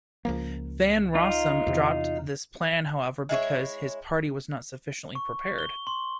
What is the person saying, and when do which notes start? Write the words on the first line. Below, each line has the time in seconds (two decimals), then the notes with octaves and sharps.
Van Rossem dropped this plan, however, because his party was not sufficiently prepared.
0.25 C#2 F3 A#3
1.15 D#4 F4
1.67 E2 C3
3.29 G#3 E4 F4 C#5
5.15 C#6
5.59 G7
5.87 C6